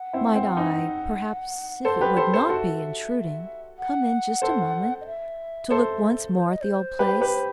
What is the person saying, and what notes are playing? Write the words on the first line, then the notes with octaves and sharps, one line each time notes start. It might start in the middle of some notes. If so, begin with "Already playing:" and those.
Might I, perhaps, if it would not be intruding, come in just a moment to look once more at the old place?
Already playing: F#5
C4 E4
C4
D#4
A4 C5
G4 B4
A4 C5
A4 C5
F#4 A4 E5
F#5
A4 C5
D#5
E5
A4 C5
C5
D#5
C5
G4 B4
G4 B4